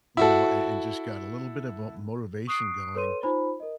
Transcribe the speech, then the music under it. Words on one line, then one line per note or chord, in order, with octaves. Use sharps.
you know, a and just got a little bit of vo motivation going
E4 F#4 A4
C#6 D#6 F#6 C7 D7
A4 B4 C#5 C6 D#7
D#4 F4 C5 B5
A#4 D#5